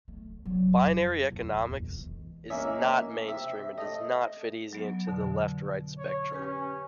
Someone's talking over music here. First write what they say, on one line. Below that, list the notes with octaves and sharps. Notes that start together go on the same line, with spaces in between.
Binary economics is not mainstream and does not fit easy into the left-right spectrum.
A3
F#3 G3
F2
A1 D#2
F2
E3 G#3
A#3 C#4 D#4 E5
C3 E5
A3 D#5
F#3 B3
F2 B2 D3
C#5
C#4 G4 B4 C#6